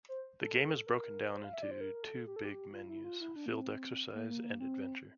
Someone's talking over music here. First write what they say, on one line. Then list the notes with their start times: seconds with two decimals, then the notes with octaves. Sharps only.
The game is broken down into two big menus: field exercise and adventure.
0.09 C5
0.41 A4
0.87 A#4
1.33 C5
1.44 F5
1.53 E5
1.63 D5
1.71 C5
1.81 A#4
1.94 A#4
2.03 A4
2.27 G4
2.36 A4
2.44 G4
2.73 F4
2.89 E4
3.04 F4
3.21 E4
3.36 D4
3.46 A#3
3.51 C4
4.14 A#3
4.29 A#3
4.44 A#3
4.60 C4